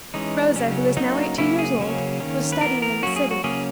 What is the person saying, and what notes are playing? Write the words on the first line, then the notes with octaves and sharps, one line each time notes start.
Rosa, who was now eighteen years old, was studying in the city.
E3 G#3 C#4 D#4
C#3 F#3 C#4
F#3 A#3 C#4 D#4
C#3 F#3 A#3 C#4 E4
G#4
C#3 F#3 A#3 C#4
D#3 A#3 C#4
B4
E3 B3 A#4
A#4
F#3 A#3 C#4 F#4
G#4
F#4
C#3 F#3 A#3 C#4 G#4